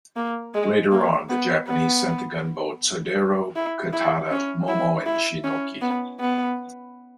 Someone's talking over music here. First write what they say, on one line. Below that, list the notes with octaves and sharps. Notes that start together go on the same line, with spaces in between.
Later on the Japanese sent the gunboats "Hodero", "Katata", "Momo" and "Shinoki".
A#3
G#3
A#3
B3
B3
E4
E4
C#4
E4
E4
C#4
B3
B3